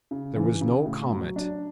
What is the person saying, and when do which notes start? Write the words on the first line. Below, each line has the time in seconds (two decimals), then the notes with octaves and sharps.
There was no comment.
0.11 C#3
0.36 E3
0.61 C#3
0.86 A2
1.11 F#3
1.36 D4